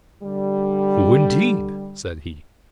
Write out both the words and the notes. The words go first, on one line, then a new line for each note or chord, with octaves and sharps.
"Who, indeed?" said he.
D3 G3